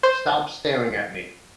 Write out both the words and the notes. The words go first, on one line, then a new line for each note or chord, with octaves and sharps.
Stop Staring at Me!
C5